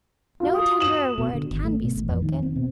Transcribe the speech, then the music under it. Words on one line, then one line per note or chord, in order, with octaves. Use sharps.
No tenderer word can be spoken.
F4 F#4
D#6
E7 F#7
B2
D3
G#1
A3
B2
A1
F2
D#3
C4
B2